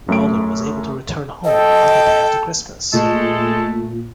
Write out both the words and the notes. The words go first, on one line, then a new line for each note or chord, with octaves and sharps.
Wilder was able to return home on the day after Christmas.
F#2 A3 D7
A4 D#5 G5
A#2 G#3 A3 A4